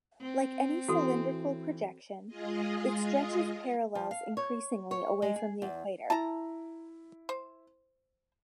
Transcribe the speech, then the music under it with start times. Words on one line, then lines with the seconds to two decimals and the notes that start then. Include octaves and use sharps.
Like any cylindrical projection, it stretches parallels increasingly away from the equator.
0.21 C4
0.88 E3 F#4 A4
2.28 G#3 F4 G#4 D#5
3.95 F3
4.11 F5
4.37 C#5
4.91 C#5
5.22 G#3
5.36 G#4
5.62 E2
6.10 E4 A5 A#5
7.29 C5